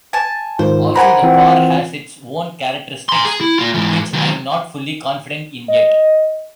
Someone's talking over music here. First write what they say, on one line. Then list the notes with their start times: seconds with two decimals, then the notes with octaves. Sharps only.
Also, the car has its own characteristics which I'm not fully confident in yet.
0.13 G#5 A5
0.59 G#2 D#3 F4 C5
0.95 A#4 C5 F#5 G#5 A#5 B5
1.23 E3 C4 F4
3.09 A#5 C6
3.25 G#4
3.41 E4
3.59 A#3 F4
3.74 G#2 E3
4.13 D#3 F#3
5.69 D#5